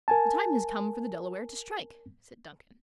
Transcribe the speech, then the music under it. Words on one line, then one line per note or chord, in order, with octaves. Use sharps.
"The time has come for the Delaware to strike!" said Duncan.
A#4 G#5 A5